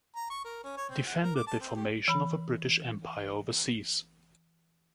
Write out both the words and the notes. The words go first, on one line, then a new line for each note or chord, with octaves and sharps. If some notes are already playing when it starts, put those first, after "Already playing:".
Defended the formation of a British Empire overseas.
A#5
C#6
A#4
C#4
C#5
C4
F#5
A#4
D6
A5
C4
G4
E3 B5